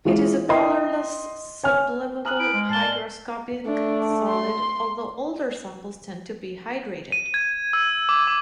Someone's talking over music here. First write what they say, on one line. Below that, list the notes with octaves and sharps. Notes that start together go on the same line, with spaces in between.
It is a colorless, sublimable hygroscopic solid, although older samples tend to be hydrated.
E3 G#3 F4 G#4
E4 A#4 D#5 G5 C6
C#5 G#5 F6
G#5 A#5 D#6 F6 F#6 F#7
E4 D7
G#3
A2 A5 C7 G7
D5
A3 D4
C6
D#7
G#6
E6
D6
D6